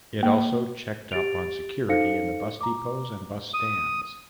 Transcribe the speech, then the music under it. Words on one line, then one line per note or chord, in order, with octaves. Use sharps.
It also checked up on security in the bus depots and bus stands.
A#3
G4 A6 D7 F7
D#4 A4 C5 F5 A#6 C#7
A#5 D6
D#6